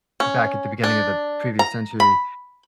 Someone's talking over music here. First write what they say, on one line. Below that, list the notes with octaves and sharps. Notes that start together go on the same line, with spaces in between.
back at the beginning of the previous century,
C#4
D4
A#5
B5